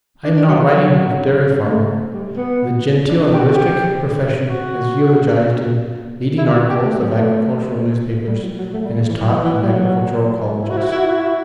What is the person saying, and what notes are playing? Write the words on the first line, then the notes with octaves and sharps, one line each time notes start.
I am not writing of dairy-farming, the genteel and artistic profession as eulogized in leading articles of agricultural newspapers and as taught in agricultural colleges.
D4
D4
F#3
E3
F#3
A3
G3
B3
D4
D4
G4
F#4
G4
F#4
E4
F#4
G4
A3
F#3
A3
G3
F#3
F#3
A3
G3
E3
F#3
E3
E3
G3
F#3
E4
F#4
E4
F#4
E4
F#4
E4
F#4
E4